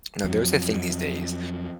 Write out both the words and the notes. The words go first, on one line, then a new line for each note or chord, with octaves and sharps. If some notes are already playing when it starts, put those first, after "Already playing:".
now there's a thing these days
F2 F#3